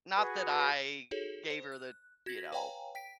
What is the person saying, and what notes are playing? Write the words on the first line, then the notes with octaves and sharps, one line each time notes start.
not that I gave her the, you know,
F#4 G#4 B4
D#4 F#4 G#4 A4 C#5
C5
F#6
F#4 G#6 A#6 B6 F#7
B4 C#5 F5 G5 G#5 A#5
G5 B6 D7